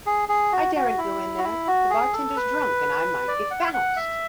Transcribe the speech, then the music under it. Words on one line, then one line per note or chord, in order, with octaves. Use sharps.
I daren't go in there; the bartender's drunk, and I might get bounced.
G#4
G#4
F#4
F#4
E4
F#4
E4
F#4
G#4
A4
B4
D5
F#5
F#5
E5